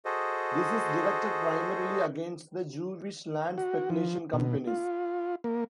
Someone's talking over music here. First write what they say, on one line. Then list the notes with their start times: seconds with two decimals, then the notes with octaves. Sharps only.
This is directed primarily against the Jewish land-speculation companies.
0.05 F#4 G#4 A4 C5 D#5
3.58 F#4
3.90 F3
4.33 B2
4.67 F4
5.44 A#3